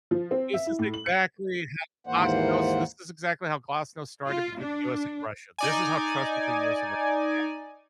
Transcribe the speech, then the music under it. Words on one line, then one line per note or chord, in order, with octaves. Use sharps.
This is exactly how Glasnost this is exactly how Glasnost started between the US and Russia. This is how trust between US and Russia began.
F3
C4
E5
E4
A2
F#7
C#7
D#2 G#2 E3 A#3 C5 F#5
F4
D4
D#4 D5 G#5